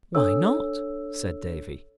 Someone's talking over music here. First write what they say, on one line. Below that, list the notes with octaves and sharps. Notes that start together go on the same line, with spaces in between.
"Why not?" said Davy.
D4 A4 C#5 E6